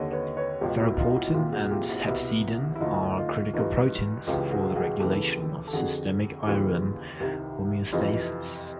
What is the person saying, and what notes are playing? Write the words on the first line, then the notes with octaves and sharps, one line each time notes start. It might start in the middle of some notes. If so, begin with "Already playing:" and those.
Ferroportin and hepcidin are critical proteins for the regulation of systemic iron homeostasis.
Already playing: D#2 D3 C#5 D#5
B4 C#5
B4 C#5
C#2 B2 F4 G4
E4 F#4
D#4 F4
E4 F#4
C2 A#2 F4 G4
F#4 G#4
F4 G4
E4 F#4
C2 B2 E4
E4
D2 D3 D#4 F4
D#4 F4
G2 E3 D#4 F4
C#2 C#3 E3 F4 G4
F#4 G#4
F#4 G#4
D#2 C#3 E3 G4 A4
A4
F2 D3 F#4 G#4
D#2 C#3 E3 F4 G4
C2 C3 D#3
F2 C3 E3 D#4 F4